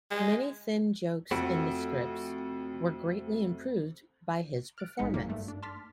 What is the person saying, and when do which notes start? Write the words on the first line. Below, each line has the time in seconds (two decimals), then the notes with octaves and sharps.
Many thin jokes in the scripts were greatly improved by his performance.
0.11 G#3
1.31 F2 A3 C4 F#4
4.78 F6 F#6 A6 D7
4.97 A1 G#2 G#3 D#4 B6 C#7
5.14 F#2 A#3
5.28 G2 A3
5.48 D4
5.62 A5 C6 D6 F6 A6 B6